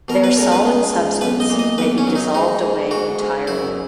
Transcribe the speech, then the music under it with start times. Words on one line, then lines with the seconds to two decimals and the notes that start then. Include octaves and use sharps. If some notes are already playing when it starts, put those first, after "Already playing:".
Their solid substance may be dissolved away entirely.
0.08 B2 A#4
0.24 B4
0.37 C#2 A#4
0.52 B4
0.65 G#3
0.94 C#2
1.21 B1 B4
1.40 D#5
1.50 A#2
1.59 D#5
1.78 B1 B4
1.98 C#4
2.07 F#3
2.15 D#4
2.35 G#2 D#4
2.63 G#2
2.91 G#2 F#4
3.19 G#2
3.47 F#2 E4